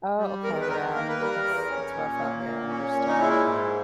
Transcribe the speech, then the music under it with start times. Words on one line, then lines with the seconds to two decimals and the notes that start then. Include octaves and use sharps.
Oh, okay, yeah. It's it's rough out here, I understand.
0.18 G3
0.44 E2 A#4
0.61 B4
0.69 D#3 A#4
0.94 A#3 A#4
1.08 B4
1.19 G3 A#4
1.44 E2
1.69 C#4
1.93 A#2
2.19 A#3
2.44 A#2
2.69 C#4
2.95 A#2
3.08 D#4
3.20 G#3 E4
3.44 G#2